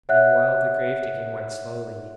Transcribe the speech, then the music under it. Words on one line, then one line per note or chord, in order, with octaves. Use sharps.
Meanwhile the grave digging went slowly.
C#5 E5 F#5 F#6